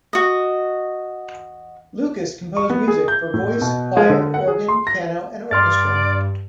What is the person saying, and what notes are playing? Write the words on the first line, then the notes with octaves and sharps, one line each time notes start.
Lucas composed music for voice, choir, organ, piano and orchestra.
F#4 D#5
C#6
B3
G#4
G6
A2
B2
G#3
D3
F#5
G#4
C6
A#6
G2 D5 C6 F6 A6